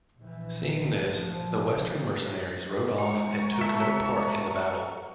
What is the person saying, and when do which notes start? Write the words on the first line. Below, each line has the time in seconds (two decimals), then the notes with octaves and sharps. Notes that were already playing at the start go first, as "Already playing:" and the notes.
Seeing this, the Western mercenaries rode off and took no part in the battle.
0.17 A#1 E3
1.02 A2 F3
1.34 A#2 F3
2.98 G#3 F#5 A#5 C#6
3.61 A4 E5